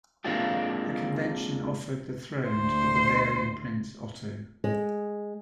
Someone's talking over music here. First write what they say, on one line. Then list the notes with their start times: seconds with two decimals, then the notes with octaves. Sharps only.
The convention offered the throne to the Bavarian Prince, Otto.
0.24 G#3 A#3 C4 D4 F4 G4
2.49 D2 C5
4.64 G#3